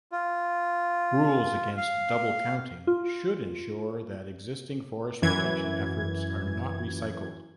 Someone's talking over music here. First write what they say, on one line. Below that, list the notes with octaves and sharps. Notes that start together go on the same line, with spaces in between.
Rules against 'double counting' should ensure that existing forest protection efforts are not recycled.
F4
F5
F4
F#2 E3 G#6